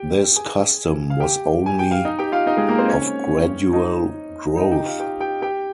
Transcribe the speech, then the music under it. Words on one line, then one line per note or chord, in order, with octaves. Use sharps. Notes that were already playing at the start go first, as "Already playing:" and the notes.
This custom was only of gradual growth.
Already playing: G4 G5
G#4 G#5
F5
G4 G5
G#5
G5
F5
D#4 D#5
G4 G5
F4 F5
D#4 D#5
G#3 G#4
A#3 A#4
C4 C5
C#4 C#5
D#4 D#5
D#4 D#5
G4 G5
F4 F5
G4 G5
G4 G5
G4 G5